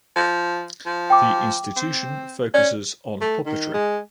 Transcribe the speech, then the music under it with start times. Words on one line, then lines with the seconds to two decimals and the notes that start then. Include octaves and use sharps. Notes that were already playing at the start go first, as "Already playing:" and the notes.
The institution focuses on puppetry.
0.16 F3
0.86 F3
1.10 G5 D6
1.76 C4
2.54 C#4 D5
3.21 A3
3.46 D#3
3.74 G#3